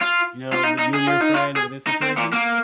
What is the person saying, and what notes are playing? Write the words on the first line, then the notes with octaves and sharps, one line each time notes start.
You know, with you and your friend, with this situation,
F4
F4
D#4
D#4
G#4
F4
D#4
F4
G#4
D#4
C4
A#2
A#3